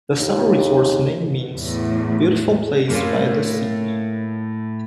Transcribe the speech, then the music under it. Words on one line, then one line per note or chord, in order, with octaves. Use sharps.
The summer resort's name means "beautiful place by the sea".
D#2
E2 A2
A2 A#3 C#4 F4